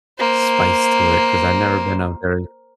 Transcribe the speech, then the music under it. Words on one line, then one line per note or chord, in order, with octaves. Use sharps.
spice to it 'cause I've never been a very
A#3 C5